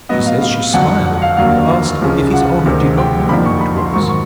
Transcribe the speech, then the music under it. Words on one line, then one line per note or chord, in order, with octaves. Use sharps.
She says, she smiled, and asked, If his honour did not know who it was?
A2 F#3 B3 D#5
F5
F5
F2 D3 F#3 F#5
F#5
F5
D#2 D3 F#3 A#3 D4 F5
C#2 C3 F3 G#3 C#4
F#5
D2 C3 D#3 G#3 C4
G5
F2 D3 F3 A#3 D#4 B5
C#6
B5
C6
G#2 D#3 F#3 C#6
C#6